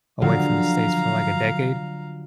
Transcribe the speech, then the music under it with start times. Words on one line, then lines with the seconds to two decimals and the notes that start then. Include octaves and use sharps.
away from the States for like a decade.
0.22 D3 F3 F#3 F5 A#5